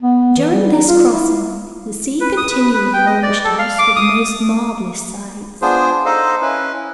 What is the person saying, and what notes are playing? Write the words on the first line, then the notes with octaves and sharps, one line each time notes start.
During this crossing, the sea continually lavished us with the most marvelous sights.
B3
E3
G3
D#4
F4
E4
B4
D#6
B4
B4
G5
D#5
D5
A4
F5
D6
D#6
B3 D4 F4 G#4 C5
D#4 A4 C5 D#5 F5
C#4 E4 B4